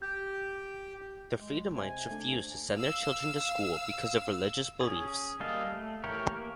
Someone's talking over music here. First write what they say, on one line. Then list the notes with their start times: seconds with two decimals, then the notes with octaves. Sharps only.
The Freedomites refused to send their children to school because of their religious beliefs.
0.02 G4 G6
1.38 G#3
1.75 C3 G#5
2.11 A3 D4
2.75 F5 E6
4.81 C#4 G#4
5.40 G3 A#3 A4 D#5 F5
5.72 A3
6.04 E3 A3 G4 A#4 C#5
6.32 A#3